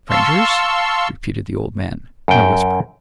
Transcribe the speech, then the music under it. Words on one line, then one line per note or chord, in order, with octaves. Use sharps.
'Strangers!' repeated the old man in a whisper.
F5 A5 C6 C#6 E6
F#2 G5